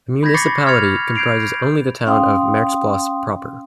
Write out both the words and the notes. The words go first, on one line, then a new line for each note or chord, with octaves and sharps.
The municipality comprises only the town of Merksplas proper.
B5 G6 G#6 A#6 B6
B5 C#6 D6 A6 C7 C#7
F6 G#6 A6 C#7 F7
G6 G#6 C7 D7 F7
C#4 F5 G5 C6 D#6